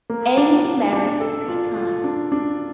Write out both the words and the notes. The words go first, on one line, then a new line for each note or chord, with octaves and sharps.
Ainley married three times.
A#3
D4
D4
D4
A4
F4
F4
D4
D4